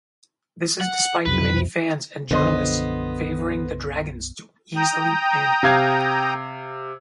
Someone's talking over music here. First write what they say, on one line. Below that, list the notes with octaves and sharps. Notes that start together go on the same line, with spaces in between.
This is despite many fans and journalists favouring the Dragons to easily win.
F#5
B1 F2 C3 B4
B1 F#2 D3 F3 B3 C5 D#5 C6
G5 A#5 D#6
C3 F5 G#6